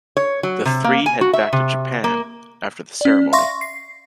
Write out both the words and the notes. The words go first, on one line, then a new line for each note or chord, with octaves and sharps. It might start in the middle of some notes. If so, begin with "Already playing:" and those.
The three head back to Japan after the ceremony.
C#5
F#3
C3
A#3
G#5
F#4
E5
C3
A#3
C#4 D5
E5 F5 C6 C#6 A#6
C7